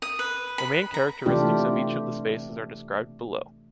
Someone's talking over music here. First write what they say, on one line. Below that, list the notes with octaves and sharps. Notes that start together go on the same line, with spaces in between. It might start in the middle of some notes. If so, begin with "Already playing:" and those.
The main characteristics of each of the spaces are described below.
D#6
B4
B5
A#5
C3 E3 A3 D4 F4 G4